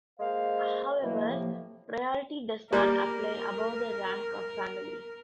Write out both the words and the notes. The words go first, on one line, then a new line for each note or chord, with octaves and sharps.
However, priority does not apply above the rank of family.
G#3 A#3 C5 F5
B2 E3 F#3 A#3
A2 C3 F3 A#3
G3 A#3 A#4